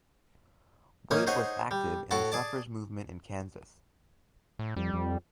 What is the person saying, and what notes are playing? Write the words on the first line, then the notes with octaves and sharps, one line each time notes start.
Wait was active in the suffrage movement in Kansas.
A#3 C#4 D#4 C#5
D#4 G#4 C5 C#5 F#5 G#5
G3
A2 F#4 A4 F#5 A5
G#4 D5 A5
A2
F2 G3
F2